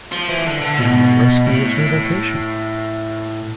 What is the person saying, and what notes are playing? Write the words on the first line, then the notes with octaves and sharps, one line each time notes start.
Animal rescue is her vocation.
F3
E3
D3
D3
B2
A2